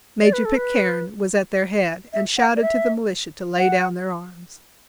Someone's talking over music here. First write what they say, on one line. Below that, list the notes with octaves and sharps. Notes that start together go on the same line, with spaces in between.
Major Pitcairne was at their head and shouted to the militia to lay down their arms.
D5
B4
A4
B4
E5
F#5
D5
E5
F#5